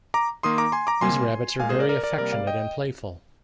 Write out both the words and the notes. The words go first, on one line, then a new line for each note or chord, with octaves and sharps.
These rabbits are very affectionate and playful.
A#5 D6
D#3 A#3 C6 D#6
A#5 D6
G#5 C6
A#5 D6
C3 G3 A#3 G#5 C6
A#2 G#3 F5 G#5
G#4 C5
A#4 D5
A#4 D5
A#4 D5
C3 G3 A#3 A#4 D5
D5 F5
D#5 G5